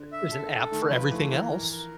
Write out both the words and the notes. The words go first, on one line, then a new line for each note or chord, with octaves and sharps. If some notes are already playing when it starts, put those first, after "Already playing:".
Th there's an app for everything else.
Already playing: D3
E5
A4
A4
D#3 A3
F3 B4
E3 A3
E3 A#4
A#4
A#4